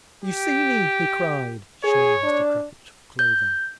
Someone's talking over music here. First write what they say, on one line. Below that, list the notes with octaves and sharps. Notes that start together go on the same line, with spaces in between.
"You see me!" he cried, showing his decrepit clothing.
G4
G#4 C#5
D4
G6